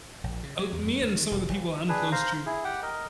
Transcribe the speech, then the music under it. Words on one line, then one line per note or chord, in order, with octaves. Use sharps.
uh me and some of the people I'm close to
A#1
C#3
F#3
E2
F#2
D2
D#3
E1
F#1
D4 G#4 B4
C5 F5 A#5
E4 G#4
G4 F#5 G5
A#4 D#5